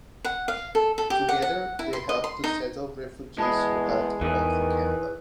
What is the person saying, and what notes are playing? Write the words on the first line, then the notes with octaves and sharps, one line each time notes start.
Together they helped to settle refugees who had arrived in Canada.
F#5
F5
A4
A4
G4
F#5
F#5
E4
C6
D#5
C6
D#4
E2 G#3 A5 B5 D#6
E2 D#3 E3 G#4